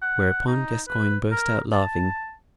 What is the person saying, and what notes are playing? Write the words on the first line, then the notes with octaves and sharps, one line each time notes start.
Whereupon Gascoyne burst out laughing.
F#5
D#4
B4
A#4
A5